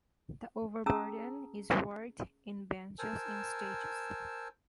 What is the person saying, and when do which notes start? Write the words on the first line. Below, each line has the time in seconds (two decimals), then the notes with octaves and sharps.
The overburden is worked in benches in stages.
0.86 C#4 G#4 A5 A#5 D#6 E6
2.99 A#4 C5 G#5 A5 E6